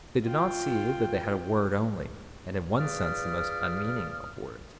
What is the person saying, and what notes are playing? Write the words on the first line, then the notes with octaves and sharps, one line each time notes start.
They did not see that they had a word only, and in one sense the most unmeaning of words.
F4 G5
F4 G#4 B4 D5 D#6 F6